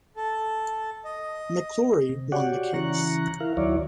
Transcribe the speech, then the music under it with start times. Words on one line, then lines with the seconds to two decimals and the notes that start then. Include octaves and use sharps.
McClory won the case.
0.16 A4
1.05 D#5
2.09 C3
2.32 F#4 G4 C#5 D5 F#5
2.74 C#3 E3 A#5 C#6 F#6
3.40 E4 A#4 F5
3.57 D2 D#3 F#3 E4 C#5 D5